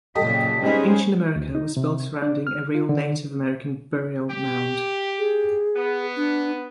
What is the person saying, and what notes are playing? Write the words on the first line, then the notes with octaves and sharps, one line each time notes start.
Ancient America was built surrounding a real Native American burial mound.
A#2 C#3 F#3 G4 A4 D#5 B6
G3 G#3 C#4 D#4 G#4 C5
D2
D#4
C3
D4
F6
F4
D3
G4
G#4
B3
D4